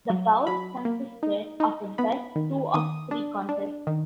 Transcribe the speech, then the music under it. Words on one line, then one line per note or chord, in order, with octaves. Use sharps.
The bout consisted of a best-two-of-three contest.
F#3
F#3 B5
A#3
D#4
D#4
B3 B5
D#3
D#3 D#6
D4
D4
D#3